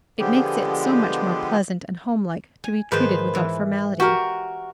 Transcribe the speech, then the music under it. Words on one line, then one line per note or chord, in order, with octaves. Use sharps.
It makes it so much more pleasant and homelike to be treated without formality.
D3 F3 G#3 B3 G4
G#5
G#2 D#3 F3 B4 C5
E3
F#4 G4 A#4